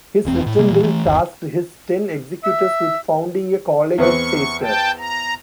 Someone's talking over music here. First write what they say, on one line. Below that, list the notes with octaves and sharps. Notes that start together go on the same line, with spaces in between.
His written will tasked his ten executors with founding a college at Caister.
F1 E2 C4
A2
C3 G3 A#3
A#2 E3
E3 A3
G1 D#2
E5
E2 B3 C4 C#6
G5 A5
A#5